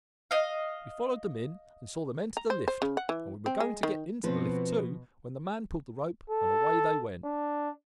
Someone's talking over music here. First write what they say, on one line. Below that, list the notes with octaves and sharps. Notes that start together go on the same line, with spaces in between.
We followed them in and saw them enter the lift, and we were going to get into the lift too, when the man pulled the rope, and away they went.
D#5 F5
A#5
C5
C5
C#3
F#5
E3
C4
G#3
D#3
B2 F3 C4 B4
A4
D4